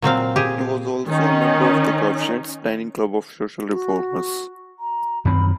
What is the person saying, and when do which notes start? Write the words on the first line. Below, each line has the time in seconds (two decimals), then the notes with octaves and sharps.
He was also a member of the Coefficients dining club of social reformers.
0.02 A#2 F#3 C4 F5
0.36 G4 G#4
1.08 D#3 C#4 D#4
3.71 F#4
4.79 A#5
5.25 F#2 D#3 C4 B5